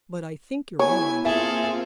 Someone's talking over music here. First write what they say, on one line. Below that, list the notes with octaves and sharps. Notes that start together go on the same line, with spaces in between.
But I think you're wrong.
B3 E4 C#5 G#5
A#3 C4 F4 G#4 A4 E5 G#5